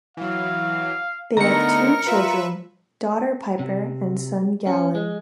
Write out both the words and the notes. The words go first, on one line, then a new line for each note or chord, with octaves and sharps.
They have two children, daughter Pyper and son Galen.
E3 F#3 F5
D3 A3 B3 D#4 A#4 A#5 C#7
F4 B4 E5
C3
C#4
G#3